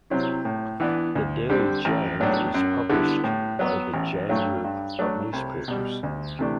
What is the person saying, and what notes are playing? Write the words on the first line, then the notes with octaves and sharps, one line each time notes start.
The "Daily Jang" is published by the Jang Group of Newspapers.
C3 F#3 C4 E4
A2
E3 B3 D4
D2
D3 G3 C4
A1
A2 F#3 B3 D4
F#2
D3 G3 B3 E4
A2
F#3 B3
A1
G2 F#3 A3
G2
F#3 A3 D4
C2
B2 G3
D2
C3 E3 A3 D4